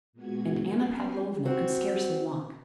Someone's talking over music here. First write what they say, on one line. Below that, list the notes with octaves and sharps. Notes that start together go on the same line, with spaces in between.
And Anna Pavlovna could scarcely walk....
A#2 G#3 B3 F#4 G#6
B3 C#4 G5 G#5 C7
C4 F#4